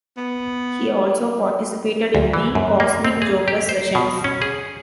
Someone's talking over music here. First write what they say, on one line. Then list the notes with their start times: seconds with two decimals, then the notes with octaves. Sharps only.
He also participated in the Cosmic Jokers sessions.
0.17 B3
2.15 D2
2.33 E3
2.55 F#2
2.80 A#3
3.05 C4
3.22 G#4
3.48 G4
3.69 C5
3.95 B2
4.24 C#4
4.42 G#4